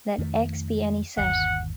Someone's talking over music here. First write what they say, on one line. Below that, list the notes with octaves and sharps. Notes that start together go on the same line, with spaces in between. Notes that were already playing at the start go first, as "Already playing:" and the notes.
Let "X" be any set.
F2 D#3 A3
G1 D#2 F#5